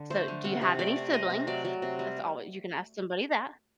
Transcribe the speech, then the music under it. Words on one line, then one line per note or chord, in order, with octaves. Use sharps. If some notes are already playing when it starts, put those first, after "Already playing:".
So, "Do you have any siblings?" That's alwa you can ask somebody that,
Already playing: D3
A3 C5
D3
C3 F#5
C3
A3 D5
C3
A3 D#5
C3
F#3 D5
F#3
C3
G3